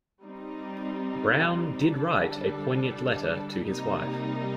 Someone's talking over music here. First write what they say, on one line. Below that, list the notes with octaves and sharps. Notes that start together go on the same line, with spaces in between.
Brown did write a poignant letter to his wife.
G3 C4 D#4
D3 G3 D4 A4
C3 G3 A#3 D#4